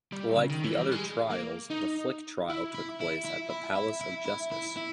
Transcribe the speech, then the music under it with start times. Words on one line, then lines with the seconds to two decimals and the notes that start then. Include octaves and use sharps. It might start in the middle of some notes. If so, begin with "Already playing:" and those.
Like the other trials, the Flick trial took place at the Palace of Justice.
0.13 G3
0.36 C#3
0.50 D#3
0.64 E3
0.78 G3
0.92 G#3
1.30 A#3
1.71 D#4
2.50 E4
2.75 E4
3.00 E4
3.24 E4
3.50 E4
3.76 E4
4.01 E4
4.25 E4
4.52 E4
4.77 E4